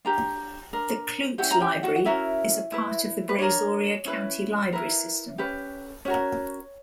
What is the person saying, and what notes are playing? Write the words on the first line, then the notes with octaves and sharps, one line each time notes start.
The Clute Library is a part of the Brazoria County Library System.
D4 G4 A#4 A#5
D4 A#4
C#4 E4 F#4 G4 F#5
A#5
G4 G5
F#4 F#5
F#5
C#4 E4 F#4 A#4 E5
E4 B4
B4
D4 A#4 C#5
C#4 E4 B4
E4 A#4 B4
C#4 G4 B4
C#4 F#4 A#4 C#5